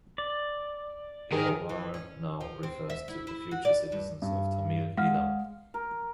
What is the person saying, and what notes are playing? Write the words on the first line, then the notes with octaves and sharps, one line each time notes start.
Eelavar now refers to the future citizens of Tamil Eelam.
D5
D#3 G#4 A#4
E3
C#4
F3
C4
E5
E4
E4
F#4
D5
G2
G2
G#3 F5 F#5 F6
A#4